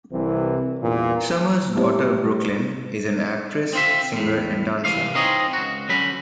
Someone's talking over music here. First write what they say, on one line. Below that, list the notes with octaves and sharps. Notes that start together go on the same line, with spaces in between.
Summer's daughter Brooklyn is an actress, singer and dancer.
C2 C3 E3
E2 G2 A#2
A2 G3 A3
C4 F4 E5
E2 A2
C2 G2 E3 F5
C4 D#4 F4 G#4 C#5 D#5
C#2 F#4
D3 F#3 C#4 B5